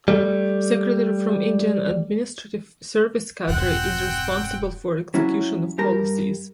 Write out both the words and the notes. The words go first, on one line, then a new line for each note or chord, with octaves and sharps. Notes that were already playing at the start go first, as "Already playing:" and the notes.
Secretary from Indian Administrative Service cadre is responsible for execution of policies.
G3 A3
E1 G2 C4 F#5 G5
F#3 C#4 E4 F#4
G2 G4 A#4 A#5